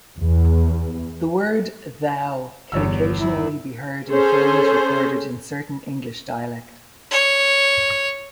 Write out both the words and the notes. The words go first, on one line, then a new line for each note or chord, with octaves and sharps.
The word "thou" can occasionally be heard in films recorded in certain English dialect.
E2
G1 E2 C#5 E6
E4
C#4 G#4 A4 C5
C#5